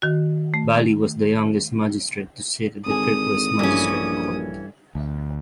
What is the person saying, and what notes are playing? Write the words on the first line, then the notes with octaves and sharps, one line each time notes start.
Bali was the youngest magistrate to sit at the Kirklees Magistrate Court.
D#3 F#4
A3
G#1 D3 G#4 D#6
A#1 G2 E3 G3 A3 C#4
D2